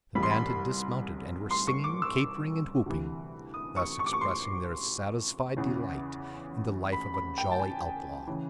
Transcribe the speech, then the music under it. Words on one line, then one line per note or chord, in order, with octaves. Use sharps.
The band had dismounted and were singing, capering, and whooping, thus expressing their satisfied delight in the life of a jolly outlaw.
C2 C3 E3 B5
C6
B5
C6
C#6
D6
E6
D2 C3 E3
D#6
C#6
C#6
D6
C#6
C6
E2 C#3 E3
B5
B5
G5
A5
G#5
C#3 E3